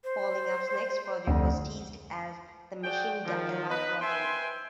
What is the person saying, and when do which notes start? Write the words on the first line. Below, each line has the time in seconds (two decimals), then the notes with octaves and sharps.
Falling Up's next project was teased as "The Machine De Ella" project.
0.04 C5
1.27 F1 D2
2.84 F#4 G#4 D5 G5
3.25 D#3 F3
3.69 B3 D#4 B4
4.01 B4 C5 E5 G5 G#5 C6